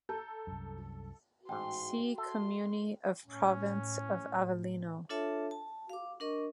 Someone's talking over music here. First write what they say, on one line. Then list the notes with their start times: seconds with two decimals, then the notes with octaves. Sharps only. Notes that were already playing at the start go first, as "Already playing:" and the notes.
See Comuni of the Province of Avellino.
0.09 A4 A5 A#5 G6
0.47 C2 F#2
1.49 A1 G#2 F#4 G5 C6
2.18 A4 E5 C6
3.26 A2 C#4
5.09 D4 F4 A4 C#5 E5 A5
5.51 A5
5.90 F5 D6
6.20 D4 A#4 D#5 C#6